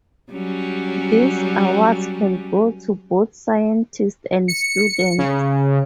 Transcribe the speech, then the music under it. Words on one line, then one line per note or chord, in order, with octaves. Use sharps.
These awards can go to both scientists and students.
F#3 G3 C#4
C#7
C#3